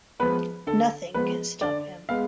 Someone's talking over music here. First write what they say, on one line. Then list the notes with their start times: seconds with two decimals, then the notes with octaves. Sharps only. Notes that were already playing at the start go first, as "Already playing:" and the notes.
Nothing can stop him.
0.20 F3 G#3 B3 B4
0.67 D3 A4
1.14 F3 G#3 B3 B4
1.61 D3 D5
2.09 G#3 B3 F5